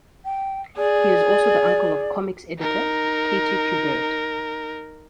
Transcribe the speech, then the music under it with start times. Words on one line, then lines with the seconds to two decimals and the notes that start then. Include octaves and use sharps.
He is also the uncle of comics editor Katie Kubert.
0.25 G5
0.77 G#4 D5
2.59 D#4 A#4